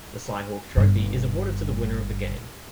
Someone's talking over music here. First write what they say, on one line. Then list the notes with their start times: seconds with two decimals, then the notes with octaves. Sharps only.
The Cy-Hawk Trophy is awarded to the winner of the game.
0.77 G1 G2